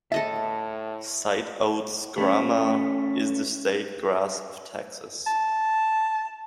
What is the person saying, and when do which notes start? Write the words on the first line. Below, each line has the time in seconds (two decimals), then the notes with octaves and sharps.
Sideoats grama is the state grass of Texas.
0.12 A2 A4 D#5 E5 A5
2.18 A3 C#4
5.27 A5